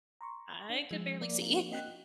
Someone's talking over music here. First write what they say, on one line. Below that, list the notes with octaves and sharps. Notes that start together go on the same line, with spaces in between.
I could barely see.
A#5 C6 C#6
D4
F3 G#3
A#3 D5
A#3 C4 D4
D#5 G5 F#6